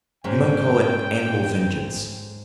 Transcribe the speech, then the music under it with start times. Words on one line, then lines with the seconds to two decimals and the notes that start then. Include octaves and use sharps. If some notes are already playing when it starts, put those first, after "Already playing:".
You might call it animal vengeance.
0.24 G#2 G#3 C#4 G5